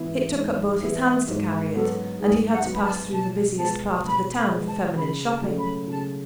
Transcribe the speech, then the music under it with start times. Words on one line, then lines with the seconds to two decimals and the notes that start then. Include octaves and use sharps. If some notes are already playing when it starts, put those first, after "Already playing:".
It took up both his hands to carry it; and he had to pass through the busiest part of the town for feminine shopping.
Already playing: G#2 E3 B3 E4
0.36 G#2
0.81 E3 B3 E4
1.28 G#2
1.73 F#3 B3 F#4 A4
2.19 G#2 G#4
2.51 F#5
2.65 F#3 B3 F#4
2.72 B5
2.81 A5
3.11 B2 A5
3.57 G#3 B3 F#4 A5
4.04 B2 B5
4.34 B5
4.50 G#3 B3 F#4
4.66 A5
4.96 C#3 B5
5.26 A5
5.42 F#3 A3 C#4
5.57 B5
5.88 C#3 A5